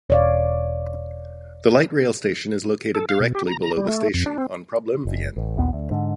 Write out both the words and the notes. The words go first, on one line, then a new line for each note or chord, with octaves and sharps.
The light rail station is located directly below the station, on Problemveien.
E1 C#5 D5 F5
A4
F5
B2
G4
A#5
A#5
G3
A3
F2
D4
C4
F#1
A1
A#1 D#2 B3
D2
G#2 D3